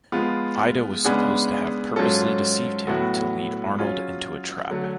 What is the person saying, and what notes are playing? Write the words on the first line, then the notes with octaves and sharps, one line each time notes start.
Ida was supposed to have purposely deceived him to lead Arnold into a trap.
F3 G#3 B3 F4
C#3 G#3 B3 D4 G#4
G#2 F#3 C#4 F4 A4
A2 F#3 B3 F#4 A4
F#3 C#4 F4 G#4
D3 F#3 A3